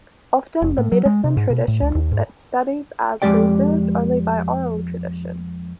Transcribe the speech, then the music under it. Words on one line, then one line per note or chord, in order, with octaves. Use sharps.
Often, the medicine traditions it studies are preserved only by oral tradition.
F1
A2
F#3
G#3
C3
G#2
B2
A2
C#2
D#2
G#2
F2 G#3 G4 D5 G5